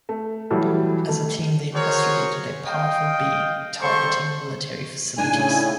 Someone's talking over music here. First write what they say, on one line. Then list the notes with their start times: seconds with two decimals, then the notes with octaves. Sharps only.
As a team, they investigated a powerful being targeting military facilities.
0.09 A3
0.50 E3 F#3 G3 A3
1.08 A3
1.74 F#4 G#4 A#4 C5 C#5
2.66 D#5 F5 G5
3.81 G3 A4 C5 C#6
5.18 A2 C#3 D4 D#4 G#5